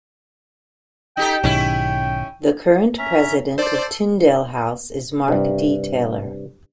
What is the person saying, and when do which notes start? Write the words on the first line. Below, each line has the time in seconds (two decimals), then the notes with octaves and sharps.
The current president of Tyndale House is Mark D. Taylor.
1.17 D#4 G4 A4 G5
1.43 B1 G#2 D#3 C#4 E4
2.98 C#4 E5 A#5
3.58 A4 C5 D5
5.28 G2 C3